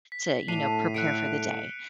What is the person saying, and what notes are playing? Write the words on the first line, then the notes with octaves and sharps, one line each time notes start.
to, you know, prepare for the day,
B6
A2 D4 A4 C7 D#7 F7
D3 E5 F#6 C#7 D7